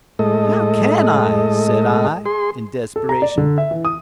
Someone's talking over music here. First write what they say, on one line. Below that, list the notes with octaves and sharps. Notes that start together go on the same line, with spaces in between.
"How can I?" said I, in desperation.
A2 G#3 A4 D#5
G#4 C6
A4
A#5
D5
D3
E5
E3
D#6